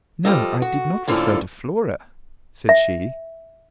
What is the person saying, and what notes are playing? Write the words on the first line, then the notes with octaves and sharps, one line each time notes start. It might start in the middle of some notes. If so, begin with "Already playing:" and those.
"No, I did not refer to Flora," said she.
F3 G3 A4 D#5
F#4
A2 D3 F3 A#3 C#4 A4
E5